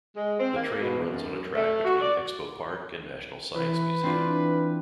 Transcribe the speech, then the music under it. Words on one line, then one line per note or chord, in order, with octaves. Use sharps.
The train runs on a track between Expo Park and National Science Museum.
G#3
C4
A#3
B2
F#2
A3
F#4
D5
E3 B4
E3 C4 D4 F4